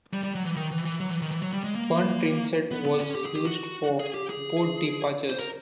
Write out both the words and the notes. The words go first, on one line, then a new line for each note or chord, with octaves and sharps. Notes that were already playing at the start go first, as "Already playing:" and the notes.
One trainset was used for both departures.
G3
G3
F#3
E3
D#3
E3
E3
F#3
E3
D#3
E3
F#3
G3
G#3
A#3
B3
B3
C#4
G4
G#4
G4
F#4
G#4
G4
G#4
C5
A#4